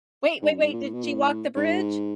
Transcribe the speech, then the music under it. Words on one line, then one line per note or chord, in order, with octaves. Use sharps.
Wait, wait, wait, did she walk the bridge?
G#2
F#2
G#2
A#2
A2
B2
A#2
A2
G#2